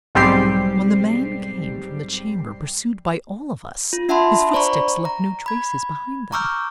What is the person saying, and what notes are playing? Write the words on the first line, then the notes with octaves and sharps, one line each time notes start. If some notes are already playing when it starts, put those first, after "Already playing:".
When the man came from the chamber, pursued by all of us, his footsteps left no traces behind them.'
B1 G#2 G3 C4 G4 C7
F4
D4 E5 F#5 A5 B5 C6
C5 D5 A#5 B5 C#6
A#5
B5 G#6
A#5 C#6 D6 E6 F6 G6